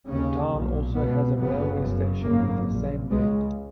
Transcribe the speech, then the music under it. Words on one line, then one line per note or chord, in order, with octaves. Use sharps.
The town also has a railway station with the same name.
D#2 C#3 C#4
B1 A#2
C#2 B2 B3
F#1 F#2 C#3 B3
F#1 F#2 C#3
G#1 F#2 C#3 A#3
A#1 A#2
C#2 C#3 G#3